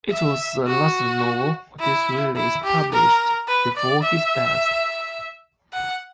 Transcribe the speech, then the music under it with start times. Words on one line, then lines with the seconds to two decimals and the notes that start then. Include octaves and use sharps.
It was the last novel Disraeli published before his death.
0.11 E5
0.67 F#4
1.80 E4
2.36 E4
2.64 G4
2.92 A#4
3.48 B4
3.77 D5
4.04 E5
5.73 F#5